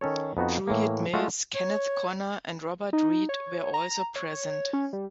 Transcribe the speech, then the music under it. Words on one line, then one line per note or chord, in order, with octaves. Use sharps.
Juliet Mills, Kenneth Connor and Robert Reed were also present.
D#3 C#4 A4 C#5
F2 B3 D#4 F#4
A2 E3 A#3
G#3 A3 F4 F#4
C#5
D#4
C#5
A#5
C#5
C#4
G3